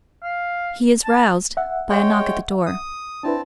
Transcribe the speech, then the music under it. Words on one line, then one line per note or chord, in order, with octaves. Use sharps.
He is roused by a knock at the door.
F5
A5
E5 F#5
G#3 C#5 G5
D#6
C4 D4 E4 B4 A5